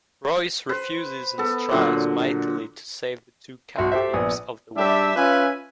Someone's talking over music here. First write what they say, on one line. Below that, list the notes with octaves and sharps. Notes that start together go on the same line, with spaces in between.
Royce refuses and strives mightily to save the two "captives" of the wild.
B4 C5
B3 A4
A#2 D3 F#3
B1 F#4 E5 C6
G4 A4 C5 E5
A#1 B3 G#5 D#6
G3 D4 G4 E5
C#4 F4 B4 E5 G#5